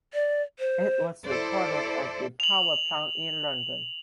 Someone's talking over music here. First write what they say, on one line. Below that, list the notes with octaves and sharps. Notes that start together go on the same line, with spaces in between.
It was recorded at The Power Plant in London.
D5
C5
E4 A4 C5 D5
F7 F#7